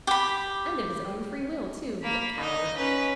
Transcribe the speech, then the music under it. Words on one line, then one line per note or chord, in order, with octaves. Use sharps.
And of his own free will, too, the coward!
G4 B5
A#3 B5
D#4 D#5
C#4 B4